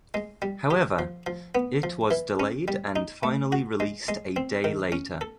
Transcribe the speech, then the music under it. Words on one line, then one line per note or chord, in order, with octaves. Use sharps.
However, it was delayed and finally released a day later.
G#3
G3
G4
F3
F3
B3
F3
E3
C#4
G3
D#4
A3
F#4
G#3
G#3
C4
D#3
C#4
A4